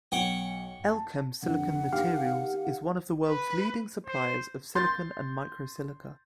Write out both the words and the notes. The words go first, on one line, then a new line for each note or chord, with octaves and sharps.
Elkem Silicon Materials is one of the world's leading suppliers of silicon and microsilica.
B1 C#5 F#5 G5
A5
F1 D3 F#5
D#3 G4 F5
B4
C5
C6 G6 A6